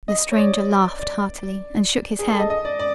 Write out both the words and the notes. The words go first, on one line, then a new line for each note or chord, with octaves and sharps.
The stranger laughed heartily, and shook his head.
D#5
C#5
D5
D5
G#4
A4
D#5
D#5
D5
D5